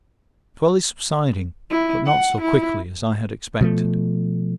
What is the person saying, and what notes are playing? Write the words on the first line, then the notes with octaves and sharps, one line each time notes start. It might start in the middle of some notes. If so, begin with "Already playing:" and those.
The swell is subsiding but not so quickly as I had expected.
E4
F#5
E4
B2 F3 A3